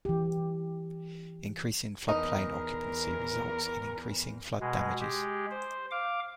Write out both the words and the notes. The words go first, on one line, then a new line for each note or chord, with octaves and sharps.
Increasing floodplain occupancy results in increasing flood damages.
E3 G4
E2 D#4 A#4
B2 G#3
G#3 G4
C5
F5 D6